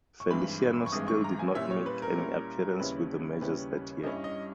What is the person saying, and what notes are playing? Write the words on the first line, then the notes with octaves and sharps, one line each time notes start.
Feliciano still did not make any appearance with the majors that year.
C#6
G#1 G2 E3 G#3 B5
C#6
G#1 G2 E3 G#3 D#6
C#6
A#5
G#5
A#2 G3 C#4 E4 E5
C#5
B4
A#4
A#2 G3 C#4 E4
D#2 C#3 G3 C#4 E4 B4
D#2 C#3 G3 C#4 E4 B4
G2 G3 C#4 E4 D#5
D#5